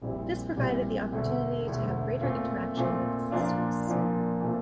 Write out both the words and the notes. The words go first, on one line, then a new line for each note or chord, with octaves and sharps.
This provided the opportunity to have greater interaction with his listeners.
A#1 A#2 G3 C4 E4
A#1 A#2 G3 C4 E4
E1 D2 D3 A3
E1 D2 D3 A3
A#2 A3 C4 F4
A#2 A3 C4 F4
A#2 F3 A#3 D4 F4
A#2 F3 A#3 D4 F4
A#2 A3 C4 F4 A4